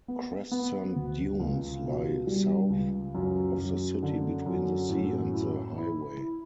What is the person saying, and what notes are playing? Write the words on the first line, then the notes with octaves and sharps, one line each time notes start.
Crescent dunes lie south of the city, between the sea and the highway.
B3
B3
D2
C#2
B2
G3
C#2
F#2
F#2
D3
F#2
A2
E4
E4
E4